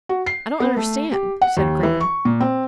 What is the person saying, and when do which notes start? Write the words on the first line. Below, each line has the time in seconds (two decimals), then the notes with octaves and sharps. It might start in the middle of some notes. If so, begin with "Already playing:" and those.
"I don't understand," said Graham.
0.09 F#4
0.26 C7
0.60 B3
0.77 A3
1.12 G4
1.42 F#5
1.57 D#2
1.83 E3
2.00 C#6
2.25 A#2
2.41 C4